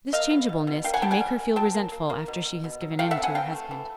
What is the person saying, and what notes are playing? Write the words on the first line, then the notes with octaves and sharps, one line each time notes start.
This changeableness can make her feel resentful after she has given in to her husband.
A#3 D#5 F5
B2
B2
B2
A#3 F5 G5
F#5 G#5
G3 G5 A5
F#5 G#5
G3
A#3
F#3 G5 A5
A#3
A#3
A#3
B2
B2
B2
F#3
A3 F5 G5
E5 F#5
C4
F#5 G#5
E3 F5 G5
A3
E3